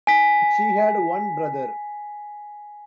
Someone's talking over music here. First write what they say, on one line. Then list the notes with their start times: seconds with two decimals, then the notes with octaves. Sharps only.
She had one brother.
0.07 G#5 B6